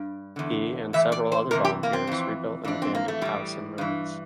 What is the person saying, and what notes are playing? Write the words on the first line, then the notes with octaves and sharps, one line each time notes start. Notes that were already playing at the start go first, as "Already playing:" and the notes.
He and several other volunteers rebuilt an abandoned house in ruins.
Already playing: G2
E2 D3
A2 E3 E5
D5
C5
E2 C3 E3 A#4
G4
A#3
C4
F2 E3
F2 E3 D4
C4
A#3
A3
A2 E3 G3
G2 E3